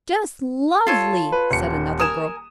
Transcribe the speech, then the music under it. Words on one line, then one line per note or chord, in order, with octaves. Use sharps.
"Just lovely!" said another girl.
F4 A4 C#5
B4
D#1 C#7
A#4 G#5 D#6 E7